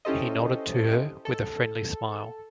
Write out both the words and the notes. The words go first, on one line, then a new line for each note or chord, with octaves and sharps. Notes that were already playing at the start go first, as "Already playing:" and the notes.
He nodded to her with a friendly smile.
C#4 E4 G4 A4 C5 D#5
A4